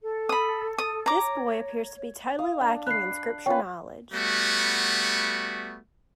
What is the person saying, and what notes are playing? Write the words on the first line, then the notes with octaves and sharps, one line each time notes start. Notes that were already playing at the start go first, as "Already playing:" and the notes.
This boy appears to be totally lacking in Scripture knowledge.
A4
B5 D#6
D#6
C#5 A#5 D6
F5 D#6
D4
B5 F#6 C7
C#4 F4 B4 G5
G3 A3 B3 F#4